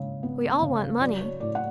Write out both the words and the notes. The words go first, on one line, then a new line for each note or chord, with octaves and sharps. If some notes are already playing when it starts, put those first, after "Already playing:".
We all want money.
Already playing: C#3 G#3
B3
C#3
F#3 D5
C#5
A2 D5
F#5